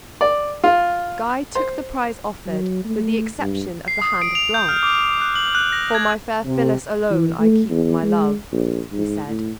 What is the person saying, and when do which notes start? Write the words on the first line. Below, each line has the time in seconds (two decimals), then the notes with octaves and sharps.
Guy took the prize offered with the exception of the hand of Blanche. "For my fair Phyllis alone I keep my love," he said.
0.21 D5
0.64 F4
1.55 C5
2.46 F#3
2.85 A3
3.40 G2
3.88 C7
4.02 D#6
4.22 D7
4.35 F7
4.54 G6
4.69 F6
4.83 D6
5.21 F#6
5.36 F#7
5.55 F#6
5.72 A#6
5.95 G#6
6.45 C3
7.10 E3
7.39 A3
7.70 E2
8.03 G#3
8.52 A#1
8.93 G#2
9.28 A2